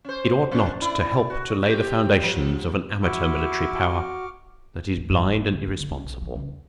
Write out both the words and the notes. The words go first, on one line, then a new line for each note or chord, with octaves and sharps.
It ought not to help to lay the foundations of an amateur military power that is blind and irresponsible.
C#4 C5
A#3 C#4 D4
E4 D5
F#4
C4 G4
F3
E4 F#4 C#6 D6 F6
A2
G2
F1
A#3
D2
G#3
D3
C#4
B1
E3
C#2
E2